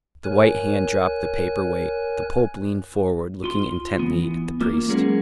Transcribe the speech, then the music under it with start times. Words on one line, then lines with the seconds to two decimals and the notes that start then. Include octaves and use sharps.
The white hand dropped the paper-weight; the Pope leaned forward, looking intently at the priest.
0.24 A#4 C#5 G#5 F#6
3.44 F4 C6
3.99 E3 B3
4.61 A#3 F4
4.89 F#3 G#3 A#3 B3 C#4 G#4